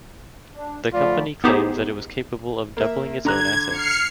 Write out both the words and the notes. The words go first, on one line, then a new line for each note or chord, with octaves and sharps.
The company claims that it was capable of doubling its own assets.
D4
D3 F3 A3 F4 D5 B5
B3 D#4 G4 G#4 C5
A#3 E5
D3 A#5 F#6 G#6
F6 C7 C#7